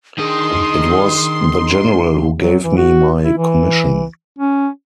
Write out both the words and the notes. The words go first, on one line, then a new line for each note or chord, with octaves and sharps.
It was the General who gave me my commission.
D#3 D4 G#4 D#5 C6 D#6
F#3
E3
F#4
E4
E3
C#4